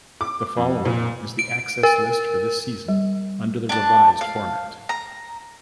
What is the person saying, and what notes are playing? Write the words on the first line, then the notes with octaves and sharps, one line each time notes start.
The following is the access list for this season under the revised format.
D6
F2
A#2
D7
A#4
G3
D4 A5
F5
A#5